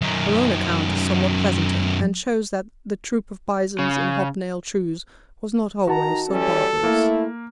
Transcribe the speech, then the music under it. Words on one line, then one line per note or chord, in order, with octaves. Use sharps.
Her own account is somewhat pleasanter, and shows that 'the troop of bisons in hob-nailed shoes' was not always so barbarous.
F#2 D#3
C#3
D#3 F#4 A5 A#5
E3 G3 C#4 A4
A3 A#3 E4